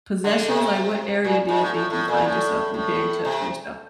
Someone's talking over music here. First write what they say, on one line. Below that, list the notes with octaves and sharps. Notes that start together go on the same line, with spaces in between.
possessions? Like, what area do you think you find yourself comparing to yourself?
D3
C3
A#2
G#2
A2
A2
A2
A#2
A2
A2
C3